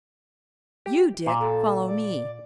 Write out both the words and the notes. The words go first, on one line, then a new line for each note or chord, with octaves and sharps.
You, Dick, follow me.
G4
A#2
A4
D5